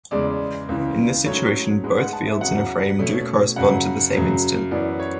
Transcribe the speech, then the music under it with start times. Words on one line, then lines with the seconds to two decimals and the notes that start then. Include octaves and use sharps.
In this situation both fields in a frame do correspond to the same instant.
0.11 E2 C#3 G#3 D5
0.69 C#2 C#3 E3
1.26 G#2 F#3 A3 C#4 C#5
1.84 G#2 G#3 B3
1.98 F#5
2.13 A5
2.27 E5
2.41 E2 C#3 F#3 F#5
2.99 B2 A3 C#4
3.56 F#2 C#3 F#3 F#5
4.13 F#2 C#3 F#3
4.71 F#2 E3 B3 D5
5.00 C#5